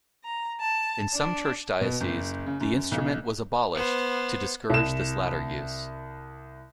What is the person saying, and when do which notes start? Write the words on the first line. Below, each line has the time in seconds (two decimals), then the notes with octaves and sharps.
In some Church dioceses the instrument was abolished to discourage this latter use.
0.25 A#5
0.61 A5
1.15 D4
1.81 B2
2.01 F#1
2.46 C#3
2.61 F#2
2.92 B1
3.75 B3 C5
4.70 C2 E7